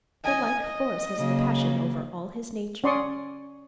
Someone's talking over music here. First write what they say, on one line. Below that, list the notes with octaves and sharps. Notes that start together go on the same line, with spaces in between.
The like force has the passion over all his nature.
D#5 G#5
D#5
C#3 F#3 A#3
C#4 D5 C6 C#6 D#6